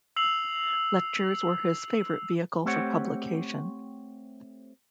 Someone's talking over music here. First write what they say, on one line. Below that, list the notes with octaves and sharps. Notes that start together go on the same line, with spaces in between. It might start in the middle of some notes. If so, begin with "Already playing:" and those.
Lectures were his favourite vehicle for publication.
E6 C7 F7 F#7
A3 C4 G4 C5 C#5 F#5